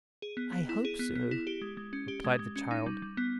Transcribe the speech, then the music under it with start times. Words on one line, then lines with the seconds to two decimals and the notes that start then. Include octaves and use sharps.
'I hope so,' replied the child.
0.22 G#4
0.37 B3
0.52 B3
0.69 E4
0.85 G#4
0.99 B3
1.15 B3
1.31 E4
1.47 G4
1.62 G#3
1.77 G#3
1.93 C#4
2.08 G4
2.24 G#3
2.39 G#3
2.56 C#4
2.71 D#4
2.86 G3
3.02 G3
3.17 B3